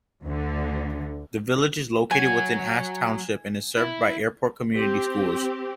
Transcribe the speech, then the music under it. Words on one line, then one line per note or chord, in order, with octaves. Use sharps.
The village is located within Ash Township and is served by Airport Community Schools.
D2 D3
F#3 F#4 G#5
E4
C4 G4